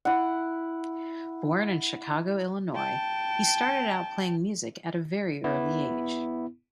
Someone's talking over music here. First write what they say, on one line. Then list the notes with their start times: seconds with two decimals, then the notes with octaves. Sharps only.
Born in Chicago, Illinois, he started out playing music at a very early age.
0.05 E4 F#5
2.75 G5 A5
5.44 B3 E4